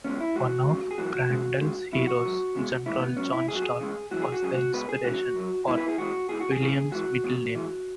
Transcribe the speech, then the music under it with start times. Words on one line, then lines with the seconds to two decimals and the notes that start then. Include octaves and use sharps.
One of Crandall's heroes, General John Stark, was the inspiration for William's middle name.
0.04 C#2 B2 G#3 C#4
0.21 E4
0.35 G#2 E3 G#3 F#4
0.67 E2 C#3 G#3
0.91 G#4
0.98 F#2 E3 G#3 F#4
1.13 F#4
1.29 C#2 C#3 G#3
1.61 C#2 C#3 G#3
1.92 E2 B2 F#3 E4
2.07 F#4
2.24 G#2 F#3
2.55 E2 B2 G#3
2.86 G#2 E3 G#3 E4
3.01 B3
3.17 G#2 F#3 C#4
3.33 E4
3.48 G#2 G#4
3.52 F#3 F#4
3.62 G#4
3.80 E2 C#3 G#3
4.11 F#2 E3 G#3 F#4
4.22 G#4
4.32 F#4
4.42 C#2 C#3 F#3 G#4
4.54 F#4
4.73 C#2 B2 G#3 B4
4.89 G#4
5.04 E2 C#3 G#3 F#4
5.36 F#2 F#3
5.67 C#2 B2 G#3 E4
5.78 B4
5.88 G#4
5.98 E2 E3 G#3 F#4
6.29 E2 E3 G#3 G#4
6.40 F#4
6.52 G#4
6.60 F#2 C#3 E3
6.91 G#2 E3 G#3 F#4
7.24 E2 B2 G#3
7.54 G#2 E3 G#3